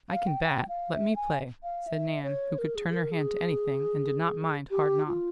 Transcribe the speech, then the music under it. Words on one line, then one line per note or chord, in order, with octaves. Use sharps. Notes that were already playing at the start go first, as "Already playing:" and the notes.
"I can bat; let me play," said Nan, who could turn her hand to any thing, and did not mind hard knocks.
F5
G5
G5
F5
E5
G#5
F5
E5
C#5
A#4
G#4
G#4
A#4
G#4
G4
F4